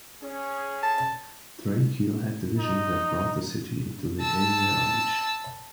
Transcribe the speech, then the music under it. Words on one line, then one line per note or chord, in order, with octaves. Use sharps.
Thrailkill had the vision that brought the city into the aerial age.
C#4 G#4
A5
D#4
A5 E6